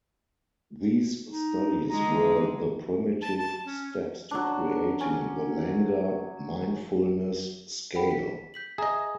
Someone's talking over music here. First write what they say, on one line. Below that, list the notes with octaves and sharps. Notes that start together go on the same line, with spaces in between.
These studies were the primitive steps to creating the Langer Mindfulness Scale.
D#4
D3 G#3 D#4 A#5
A5
A5
C#4
F#3 D4
C#4
F#5 G5 B5
B6
G6 B6 F#7
G#4 D#5 E5 A#5